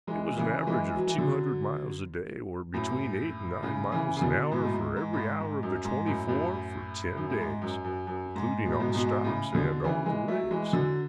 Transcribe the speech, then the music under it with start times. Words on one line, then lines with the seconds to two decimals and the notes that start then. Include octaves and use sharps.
It was an average of two hundred miles a day, or between eight and nine miles an hour for every hour of the twenty-four for ten days, including all stops and all delays.
0.07 E3 G#3
0.37 C#3 E3
0.67 E3 G#3
0.96 F#3
1.07 E3
1.18 D3 F#3
2.74 F#2 A2
3.63 A2 C#3
3.92 C#3 E3
4.17 C#3
4.22 B2 D3
4.51 G#2 B2
4.64 A2
4.74 G#2
4.96 G#2
5.13 A2
5.18 G#2
5.40 G#2
5.63 F#2
5.84 G#2
6.06 F#2 A2
6.29 F#2 A2
7.17 F#2
7.30 A2
7.40 G#2
7.62 F#2
7.84 F#2
8.07 F#2
8.36 G#2
8.65 B2
8.72 A2
8.80 G#2 B2
8.95 G#2 B2
9.24 A2 C#3
9.54 B2 D3
9.84 C#3 E3
10.06 E3 G#3
10.28 F#3 A3
10.51 E3 G#3
10.73 D3 F#3